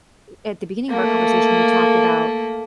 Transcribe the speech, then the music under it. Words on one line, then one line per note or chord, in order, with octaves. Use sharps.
at the beginning of our conversation, you talked about,
A3 A#3